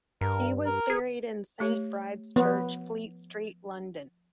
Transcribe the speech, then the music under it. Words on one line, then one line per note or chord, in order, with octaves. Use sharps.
He was buried in Saint Bride's Church, Fleet Street, London.
G2 A#4
A#4
G#4
A3 G4 C#5
F3 B3